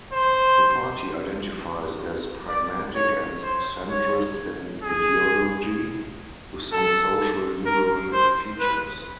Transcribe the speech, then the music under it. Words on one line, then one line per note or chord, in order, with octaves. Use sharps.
The party identifies as pragmatic and centrist in ideology, with some social liberal features.
C5
D5
C#5
C5
C#5
G#4
A4
A#4
C5
B4